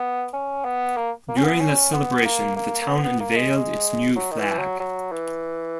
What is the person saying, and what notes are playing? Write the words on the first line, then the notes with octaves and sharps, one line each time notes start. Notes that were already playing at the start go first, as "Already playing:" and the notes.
During that celebration, the town unveiled its new flag.
Already playing: B3
C#4
B3
A#3
A#3
C#4
B3
C#4
B3
A#3
A#3
A#3
B3
B3
A#3
G#3
F#3
D#3
E3
F#3
F#3
E3